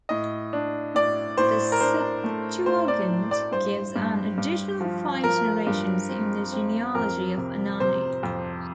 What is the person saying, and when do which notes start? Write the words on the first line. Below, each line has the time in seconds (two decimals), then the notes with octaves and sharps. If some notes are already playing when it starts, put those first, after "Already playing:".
The Septuagint gives an additional five generations in the genealogy of Anani.
0.09 A2 D#5
0.53 D4
0.95 A2 D5
1.37 A2 C5
1.72 A#4
1.81 D4 C5
2.24 A3
2.66 A2 C5
2.88 D5
3.09 A2
3.31 D5
3.52 G2 C5
3.96 G2
4.38 G2
4.81 F3
5.24 F3 A#4
5.67 G2
6.09 C4
6.52 C4
6.95 F2 A#4
7.38 C3
7.80 C3 C5
8.23 F2